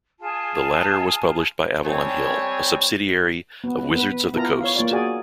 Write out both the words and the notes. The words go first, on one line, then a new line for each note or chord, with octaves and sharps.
The latter was published by Avalon Hill, a subsidiary of Wizards of the Coast.
F4 G#4 G#5 A5
G3 C4 C#5 G#5 A5
B3
B3 B4
B3 E4 F4 A#4 A5 A#5
C#5 F5
A#3 F4 C#5 D5
F#4 G#4 D5 G#5